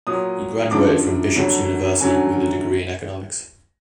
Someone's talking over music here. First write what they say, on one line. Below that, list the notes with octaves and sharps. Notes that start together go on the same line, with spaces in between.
He graduated from Bishop's University with a degree in economics.
A#2 F#3 D#6
F#2 D3 F3 D6
F2 D3 F#3
F#2 D3 F#3 G#5